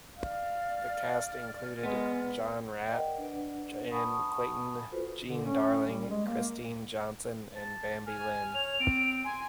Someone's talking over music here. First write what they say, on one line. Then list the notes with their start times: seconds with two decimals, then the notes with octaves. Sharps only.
The cast included John Raitt, Jan Clayton, Jean Darling, Christine Johnson and Bambi Linn.
0.18 D5 F5 F6
1.83 G#3 B3
2.87 A#4 D5 D#5 F#5 G5
3.18 D4 B4 D5 F#5
3.91 F#5 G#5 A5 B5 C#6 D#6
4.92 F4 F#4 A4 B4 C5
5.28 D3
5.44 C#4
5.87 G3
6.10 G#3
6.25 A#3
7.56 A5
8.07 G#5 F6
8.54 C#5 F7
8.80 C4 D7
9.24 G#5 C6